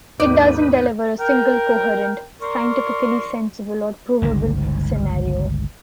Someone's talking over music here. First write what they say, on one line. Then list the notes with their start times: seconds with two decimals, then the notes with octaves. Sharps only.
It doesn't deliver a single, coherent, scientifically sensible or provable scenario.
0.20 D#2 G#2 D#4 B4 D5
1.20 A#4 G5
2.42 A#4 D5 C6 C#6
4.22 G1 C#2 D#3